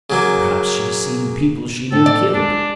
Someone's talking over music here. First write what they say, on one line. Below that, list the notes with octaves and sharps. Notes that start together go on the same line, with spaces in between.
Perhaps she has seen people she knew killed.
C#3 F#3 A#3
A2 C4 A4
D5
G#3 D4